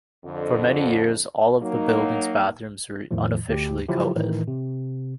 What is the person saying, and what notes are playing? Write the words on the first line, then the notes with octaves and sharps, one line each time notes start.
For many years, all of the building's bathrooms were unofficially co-ed.
F2 D3
F#3 A#3 D#4
E2 A2 D#3 F3
D2 G4
C#3 F3 F#3 E4 F4 G4
A2 D#3 E3
C3